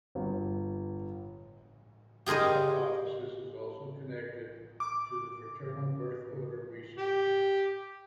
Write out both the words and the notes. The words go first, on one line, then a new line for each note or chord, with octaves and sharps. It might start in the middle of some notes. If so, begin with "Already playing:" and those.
This hypothesis is also connected to the fraternal birth order research.
G1
G4 G#4 A#4 C5 D#5
D6
G4